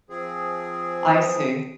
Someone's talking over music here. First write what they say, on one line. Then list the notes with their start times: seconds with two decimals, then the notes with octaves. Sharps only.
I see.
0.10 F3 C4 G#4